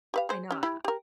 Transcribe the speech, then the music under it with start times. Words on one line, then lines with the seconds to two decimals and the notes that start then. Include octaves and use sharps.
I know I
0.14 G4 B4 F5
0.29 G#4 C5
0.51 C#4 G4
0.63 E4 G4 B5
0.84 G4 A#4